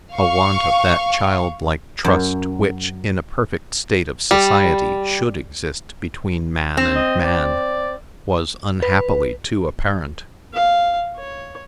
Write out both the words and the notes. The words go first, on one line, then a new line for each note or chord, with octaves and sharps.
A want of that childlike trust which, in a perfect state of society should exist between man and man, was unhappily too apparent.
F5 C#6
F#2
G3
C4
D#5
D5
B4
F5
C#5